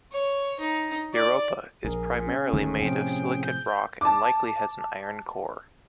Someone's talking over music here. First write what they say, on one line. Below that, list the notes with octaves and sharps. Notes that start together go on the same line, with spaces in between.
Europa is primarily made of silicate rock and likely has an iron core.
C#5
D#4
D5
A#1 G#4 A#4
C#4
D1 D#3 A3
A2 C3 F3 G5
G6
A5 D6